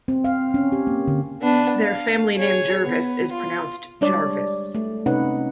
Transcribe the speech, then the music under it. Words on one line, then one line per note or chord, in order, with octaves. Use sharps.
Their family name Jervis is pronounced 'jarviss'.
C4
F5
C#4
G4
A#3
D3
B3 D4
F5
G#4 C#5
B3
F4
G3 G#3 D4 C#5 D5
A3
C3 C#4 D#4 B4 F#5